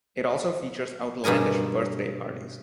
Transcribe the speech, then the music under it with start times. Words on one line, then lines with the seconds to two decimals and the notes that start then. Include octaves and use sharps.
It also features outlandish birthday parties.
1.24 G2 B2 G#4 A#4 G#5